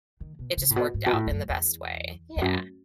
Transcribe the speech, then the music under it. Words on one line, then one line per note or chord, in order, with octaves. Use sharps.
it just worked out in the best way, yeah.
D#3
B2
C#3
A2
B2
G#2
B2
A2
E2
F#2
E2
E2
F#2